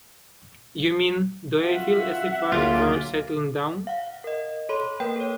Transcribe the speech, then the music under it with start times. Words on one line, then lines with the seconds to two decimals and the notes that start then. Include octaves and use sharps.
You mean, do I feel as if I were settling down?
1.64 F4 F#4 E5 F#5
2.52 D2 F#3 A#3 F4 G#4 D6
3.87 F5 F#5
4.24 A#4 D#5
4.69 A4 C#5 B5 C6
5.00 A#3 A#4 B4 G5
5.16 A4 C#5